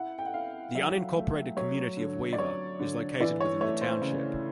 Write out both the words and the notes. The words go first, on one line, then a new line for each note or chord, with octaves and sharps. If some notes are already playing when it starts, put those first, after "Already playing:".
The unincorporated community of Weaver is located within the township.
Already playing: E4 F#5
G5
F#5
E4 F5
F#3 E5
A3
F#3 C#5
D3
D5
F#3 C#5
D3
E3 D5
C#5
A3 C#5
C5
C#3